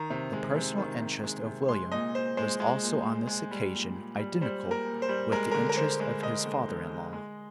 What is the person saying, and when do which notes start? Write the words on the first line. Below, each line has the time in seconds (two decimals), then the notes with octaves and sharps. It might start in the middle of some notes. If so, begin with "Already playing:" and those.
The personal interest of William was also on this occasion identical with the interest of his father in law.
Already playing: D#3 A#5
0.10 C3
0.33 G#3
0.56 C3
0.78 D#3
1.01 C3
1.24 G#3
1.47 C3
1.69 G#3 C6
1.92 A#2 D#5
2.15 A#2 C5
2.37 G#3 C5
2.60 G#3
2.83 A#2
3.06 A#2
3.27 G#3
3.51 G3
3.73 A#2
3.96 A#2
4.18 G3
4.41 G3 C5
4.64 A#2
4.71 A#4
4.86 A#2
5.02 C5
5.09 G3
5.32 G#3 A#4
5.51 D3 A#4
5.69 A#4
5.77 D3 C5
6.00 G#3
6.23 G#3 D#5
6.46 D3
6.68 D3
6.91 G#3
7.13 G#3